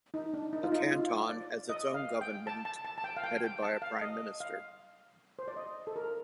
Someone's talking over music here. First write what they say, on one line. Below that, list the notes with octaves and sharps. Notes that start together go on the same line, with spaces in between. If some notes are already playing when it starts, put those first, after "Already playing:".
A canton has its own government headed by a prime minister.
D#4
D4
D#4
F4
D#4
F4
D5
D#5
F5
G5
A5
A5
A5
A5
G5
F5
G5
G5
A5
F5
D#5
F5
C5
D5
D#5
A4
A#4